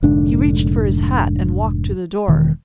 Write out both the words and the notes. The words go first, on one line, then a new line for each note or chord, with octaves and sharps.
He reached for his hat and walked to the door.
F1 G#2 D3 D4
E1 D#3